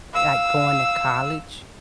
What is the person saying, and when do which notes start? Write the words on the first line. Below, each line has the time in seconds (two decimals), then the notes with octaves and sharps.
like, going to college,
0.14 F5 E6